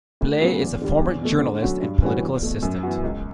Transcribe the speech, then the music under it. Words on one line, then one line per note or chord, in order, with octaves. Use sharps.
Blais is a former journalist and political assistant.
D2
C#3 F#3 B3
E2
D3 G3
E2
B2 A3
D3
F#3 C#4 F#4
G2
E3 G3 C#4 F#4
E2
B2 A3
F#2
E3 B3 F#4
C#2